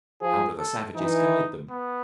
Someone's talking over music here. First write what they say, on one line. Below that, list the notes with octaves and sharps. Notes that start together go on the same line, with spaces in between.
How do the savages guide them?
F3 G#4
A4
E3 D#4
B3